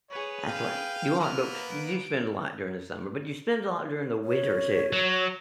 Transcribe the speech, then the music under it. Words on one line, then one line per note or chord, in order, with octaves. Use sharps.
That's right. You are, but you do spend a lot during the summer, but you spend a lot during the winter too
G#4 B4 C#5
F5 G5
A#3 B3 B4 F6
D7
C#5
F#3